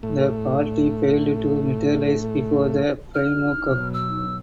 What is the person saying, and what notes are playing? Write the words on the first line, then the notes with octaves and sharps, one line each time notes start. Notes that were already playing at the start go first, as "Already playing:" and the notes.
The party failed to materialize before the Primo coup.
A2 A3
F6
B2 F#3
E6